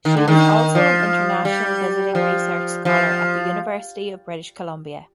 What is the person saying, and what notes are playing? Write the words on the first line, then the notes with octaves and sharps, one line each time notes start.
She was also an International Visiting Research Scholar at the University of British Columbia.
D#3
D3
D#3
F3
G3
F3
F3